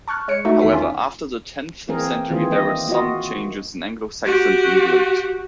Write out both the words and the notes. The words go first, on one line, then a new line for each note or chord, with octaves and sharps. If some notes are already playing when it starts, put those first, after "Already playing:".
However, after the tenth century there were some changes in Anglo-Saxon England.
A5 C#6 F6 F#6
G#3 C#5 C#7
A3 D#4 F#4 A4
E2 D#3 E5 B6 C7
C#4 F4
E3 A#3 C4 G#4 A#4
D#3 E3 C4 F4 G#4
A#3 D#5
A#3 F4 F#4 D#5
F#4 G4